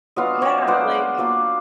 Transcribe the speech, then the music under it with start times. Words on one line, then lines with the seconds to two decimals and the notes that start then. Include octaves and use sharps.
Yeah, like,
0.16 F#3 B3 D4 F4 D#5 F5
0.42 C#5 D#5
0.67 F#3 B3 D4 F4 C5 D5
1.18 F#3 A#3 D4 F4